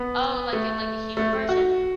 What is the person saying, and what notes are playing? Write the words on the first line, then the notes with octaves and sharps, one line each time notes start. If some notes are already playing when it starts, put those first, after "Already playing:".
Oh, like, a like, a human version?
Already playing: B3
A3
A3
A3
F#4